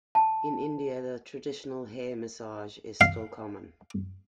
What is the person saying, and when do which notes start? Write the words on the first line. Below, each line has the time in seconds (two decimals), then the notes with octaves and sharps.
In India, the traditional hair massage is still common.
0.15 A5
3.01 F5